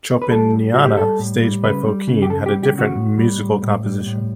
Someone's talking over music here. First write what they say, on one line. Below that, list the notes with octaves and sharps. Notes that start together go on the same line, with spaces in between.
"Chopiniana", staged by Fokine, had a different musical composition.
B4
G3 A4
A2
G3 F#4
G4
G3 A4
A2
G3
C#3 B4
G3
C#3
G4
C#3 A4
G4
G3
G4
C#3
F#4
A2
G3
A2
A2
G3
A2